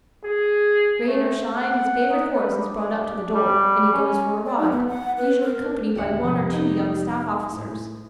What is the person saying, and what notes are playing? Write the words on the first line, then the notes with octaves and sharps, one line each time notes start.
Rain or shine, his favorite horse is brought up to the door, and he goes for a ride, usually accompanied by one or two young staff-officers.
G#4
A3
F#5
D#4
B4
D4
G3
C#4
D5
D#4
B3
F#5
B4
A#4
D#1 D3 G4 E5 F#5
F2 C3 D#6
D#4
A2